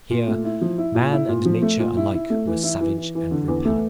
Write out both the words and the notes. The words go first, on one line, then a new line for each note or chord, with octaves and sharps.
Here man and nature alike were savage and repellent.
A#2
A3
E4
F3
E4
A#2
E4
A#2
F3
A3
A#2
E4
E4
A3
E3
E4
E3
E3
E3
D3
E2
A3